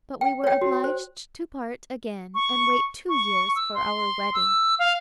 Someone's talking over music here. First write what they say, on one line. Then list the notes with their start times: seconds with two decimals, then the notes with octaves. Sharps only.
But we were obliged to part again, and wait two years for our wedding.
0.21 G5
0.44 C#5 G5
0.61 F#4
0.84 C5
2.35 C#6
3.09 C#6
3.56 E6
3.75 C6
4.34 E6
4.79 F5